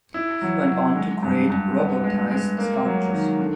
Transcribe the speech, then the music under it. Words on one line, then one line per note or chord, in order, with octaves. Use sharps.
He went on to create robotized sculptures.
E4
F#3
F#3
G#3
G2
G2
B3
G#3
G#3
A#3
F#3
D#3
D3